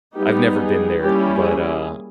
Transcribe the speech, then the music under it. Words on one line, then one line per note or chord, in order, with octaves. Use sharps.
I've never been there, but, uh,
G3 B3 D#4 G4
G#4
G3 A#3 C#4 E4 G4
G#4